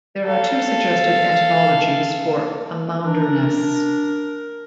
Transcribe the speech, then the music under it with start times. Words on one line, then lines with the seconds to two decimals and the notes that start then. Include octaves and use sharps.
There are two suggested etymologies for Amounderness.
0.25 A4 F5
3.04 D4 A#4